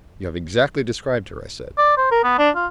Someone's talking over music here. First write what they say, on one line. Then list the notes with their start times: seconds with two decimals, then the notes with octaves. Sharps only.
"You have exactly described her," I said.
1.78 D5
1.98 C5
2.12 A#4
2.24 B3
2.39 D4
2.56 F4